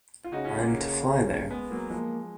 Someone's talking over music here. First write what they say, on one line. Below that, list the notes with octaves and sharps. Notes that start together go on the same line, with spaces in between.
I'm to fly there.
F4
C#3 D#4 F#4
C#4 F4
A#3 C#4
C#3
G#3 B3
F#3 A#3
F3 G#3 A#3